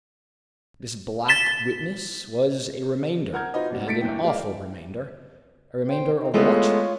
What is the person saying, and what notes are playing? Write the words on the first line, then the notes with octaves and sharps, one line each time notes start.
This black witness was a remainder, and an awful remainder--a remainder of what?
A6 B6 E7 G7
A#4 F#5 A#5 F6 G6 G#6
D#4 F4 F#4 B4 C5 D#5
B2 G3 B3
A2 A3 A6 B6 C#7 D7
G1 E2 E3 G5
G#3 A#3 D5 F5
C5 G5
C4 D#4
G#3 A3 B3 F4 C#5